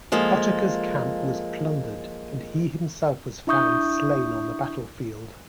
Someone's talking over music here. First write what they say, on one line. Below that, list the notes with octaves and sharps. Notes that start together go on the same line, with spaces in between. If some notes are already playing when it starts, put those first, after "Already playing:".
Ottokar's camp was plundered, and he himself was found slain on the battlefield.
F3 G#3 A#3 A4
D4 E4 E5 C#6 D#6 G6